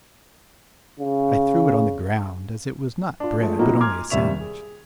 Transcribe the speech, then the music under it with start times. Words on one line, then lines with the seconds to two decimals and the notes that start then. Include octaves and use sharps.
I threw it on the ground, as it was not bread but only a sandwich.
1.00 C#3
3.20 D4 F4
3.39 F3 G#3 A3
3.58 A2 F3 A#3 C4 D#4 F#4
3.80 G#5 A#5 C6 D6 F6 G#6
4.10 D#2 C3 G3 E5 C#6 F7
4.40 G#4